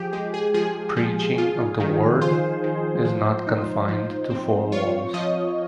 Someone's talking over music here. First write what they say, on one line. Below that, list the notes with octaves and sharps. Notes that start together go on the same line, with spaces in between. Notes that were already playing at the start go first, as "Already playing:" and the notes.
Preaching of the Word is not confined to four walls.
Already playing: F3 G4 G#4
G#3 G4
G#4
F3 G#4
F3
F4
D#3
F4 C5
D#3
F3
D#4
F3
C4
F4 C#5
F3 D#5